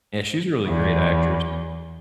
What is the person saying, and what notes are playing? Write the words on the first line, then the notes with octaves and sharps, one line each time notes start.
Yeah, she's a really great actress.
E2